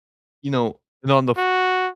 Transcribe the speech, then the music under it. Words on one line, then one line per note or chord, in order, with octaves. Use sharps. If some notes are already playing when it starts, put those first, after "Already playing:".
You know, and on the f
F#4